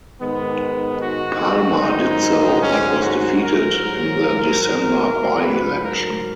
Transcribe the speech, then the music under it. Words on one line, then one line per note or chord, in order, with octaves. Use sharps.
Palmer did so but was defeated in the December by-election.
G#2 D#3 G#3 B3
F#4
G#2 D#3 F#3 D#4
C#4
F#4
G#2 F#3 A#4
A#4
G#2 F#3
B4
A#4